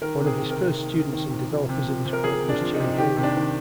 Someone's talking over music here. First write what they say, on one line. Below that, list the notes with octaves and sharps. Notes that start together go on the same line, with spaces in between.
One of his first students and developers of his work was Jay Haley.
D#3 A#4
C3
G#4
D#3
A#4
C3
D#3
C3
D#3
C3
F3
C3
F3
C3
A#4
F3 G#4
C3
D4
F3
D#4
C3
D#3 G4
C3
D4
D#3